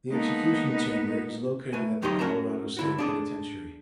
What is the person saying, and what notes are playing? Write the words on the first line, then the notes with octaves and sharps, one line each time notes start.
The execution chamber is located at the Colorado State Penitentiary.
G#3 A#3 B3 D#4 A4
A3 B4 G#5
D2 F#3 D#4 G4 D#5 C6
C#4 F#4 A#4 A5 A#5
D3 E4 F#4
D4 G#4 A4